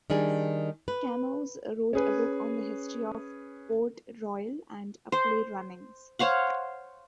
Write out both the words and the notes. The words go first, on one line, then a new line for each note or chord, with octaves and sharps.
Kamoze wrote a book on the history of Port Royal, and a play, "Runnings".
D#3 G3 D4 G#4
B4
C#4 G#4 B4
C5
C5 C#5 F5 F#5